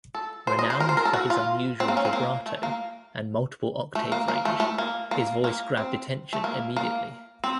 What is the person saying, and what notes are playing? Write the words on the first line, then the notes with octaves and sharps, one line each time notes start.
Renowned for his unusual vibrato and multiple octave range, his voice grabbed attention immediately.
A4
C5
D#5
C5
A#4
C5
A#4
A4
F#4
F4
C4
A#3
C#4
C4
A#3
A3
A#3
A3
A#3
A#3
A3
A3
A#3
A#3
A#3
C4
A3
A#3
A#3
C4